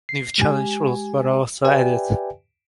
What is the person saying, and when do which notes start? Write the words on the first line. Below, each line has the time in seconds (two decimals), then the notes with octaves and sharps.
New challenge rules were also added.
0.09 C7
0.38 G#3 G4 G#5
1.64 G4 B4 D5 E5 G5 G#5